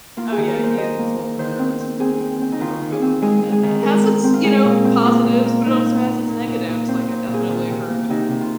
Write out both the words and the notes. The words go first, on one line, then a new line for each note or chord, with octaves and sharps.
Oh, yeah. He, uh his whole career was with the with the federal government. And it has its, you know, positives, but it also has its negatives. Like, I definitely heard
A#3 F4
G#4
D#3
A#4
A#3
C5
A#3 D#5
A#3
A#3
D#3 C5
C4
C4
C4 G#4
C4
C4
D#4
D#3 F4
D#3
G#4
C4
G#3 G#4
G#3
G#4
D#3
G#3 A#4
C4
C4
F4
G#3 G#4
A#2
C4
A#3 F4
A#2
A#3
A#2 D#4
A#3
A#2
A#2
A#2
A#2
C4 C5
A#2 C5
A#2
G#4
D#3 F4
C3
A#3
C3 D#4
C3
F4